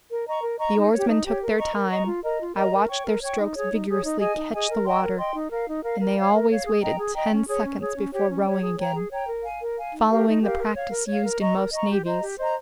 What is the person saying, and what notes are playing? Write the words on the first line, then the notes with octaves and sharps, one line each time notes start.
The oarsmen took their time. I watched their strokes vigorously catch the water, and they always waited ten seconds before rowing again, following the practice used in most navies.
A#4
D#5 A#5 C#6
A#4
D#5 A#5 C#6
D#4
G4 C#5
D#4
G4 C#5
A#4
D#5 A#5 C#6
A#4
D#5 A#5 C#6
F4
A#4 D#5 A#5
F4
A#4 D#5 A#5
A#4
C#5 G5 C#6
A#4
C#5 G5 C#6
D#4
G#4 C#5
D#4
G#4 C#5
D#4
G#4 D#5 G#5
D#4
G#4 D#5 G#5
A#4
D#5 G5 C6
A#4
D#5 G5 C6
D#4
A#4 F5
D#4
A#4 F5
A#4
C#5 F5
A#4
C#5 F5
G#4
D#5 G5 A#5
G#4
D#5 G5 A#5
C#4
G#4 C#5
C#4
G#4 C#5
C#4
G4 C#5
C#4
G4 C#5
G#4
C#5 G5 A#5
G#4
C#5 G5 A#5
A#4
F5 G#5
A#4
F5 G#5
D#4
G4 A#4 F5
D#4
G4 A#4 F5
A#4
C#5 F5
A#4
C#5 F5
A#4
D#5 A#5 C#6
A#4
D#5 A#5 C#6
G4
C5 D#5 A#5
G4
C5 D#5 A#5